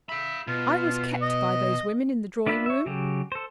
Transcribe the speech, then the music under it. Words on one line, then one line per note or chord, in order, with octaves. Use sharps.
'I was kept by those women in the drawing-room.
E5 F5 B5
B2 F4
D#5
B3 D4 F4 E5 B5
C#5 E5
C#3 F#3 G4
A4 C5